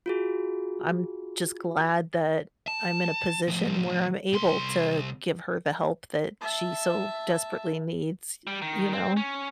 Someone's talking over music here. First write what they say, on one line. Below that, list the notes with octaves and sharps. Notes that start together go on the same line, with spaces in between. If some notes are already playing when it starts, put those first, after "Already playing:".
I'm just glad that I'm in a position where I'm able to give her the help that she so desperately needs, y you know?
F4 F#4 G#4
A5
A2 F3
C2 C6
E5 A5
G3
D#3
C4
C#4